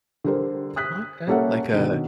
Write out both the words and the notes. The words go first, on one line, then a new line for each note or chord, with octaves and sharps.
Okay, like a
D3 G3 G4 A#4 C5
D#6 F#6 B6
G3 A#3 C#4 A4 E5 F#5
B2 D3 D#3